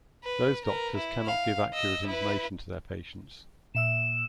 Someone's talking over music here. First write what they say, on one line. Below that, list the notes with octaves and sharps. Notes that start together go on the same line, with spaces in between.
Those doctors cannot give accurate information to their patients.
B4
A#4 B4
E4
F5
D#5 E6
E4 B4
A#2 E5 E6 E7